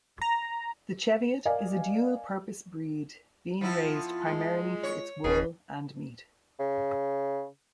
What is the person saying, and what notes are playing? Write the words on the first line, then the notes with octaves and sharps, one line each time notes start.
The Cheviot is a dual-purpose breed, being raised primarily for its wool and meat.
A#5
A#4 D5 D#5 F5 G#5
F3 B3 E4 F4
G#3
C#5
D1 B2 C#4 G#4 B4
C#3